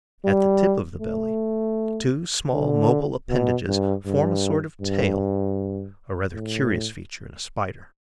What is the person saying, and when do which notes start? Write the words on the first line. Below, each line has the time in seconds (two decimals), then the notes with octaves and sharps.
At the tip of the belly, two small, mobile appendages form a sort of tail, a rather curious feature in a Spider.
0.25 G3
1.01 A3
2.53 D3
3.29 B2
3.67 G2
4.06 G2
4.81 G2
6.34 A2